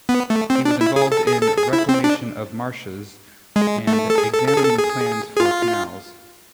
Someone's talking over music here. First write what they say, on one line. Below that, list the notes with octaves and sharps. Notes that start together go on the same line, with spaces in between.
He was involved in reclamation of marshes and examining plans for canals.
B3
A3
C4
D4
E4
G#4
A4
G#4
A4
G#4
E4
C4
D4
G#3
A3
A4
G#4
A4
A4
G#4
A4
G#4
G#4
F4